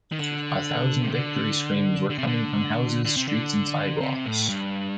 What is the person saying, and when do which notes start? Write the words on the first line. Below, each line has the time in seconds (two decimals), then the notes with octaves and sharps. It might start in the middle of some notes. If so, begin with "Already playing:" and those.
A thousand victory screams were coming from houses, streets and sidewalks.
0.12 D#3
0.19 D3
1.02 C3
1.14 D3
2.10 D3
2.18 C3
2.27 D3
3.05 D3
3.17 C3
3.28 D3
4.01 C3
4.25 A2
4.49 G2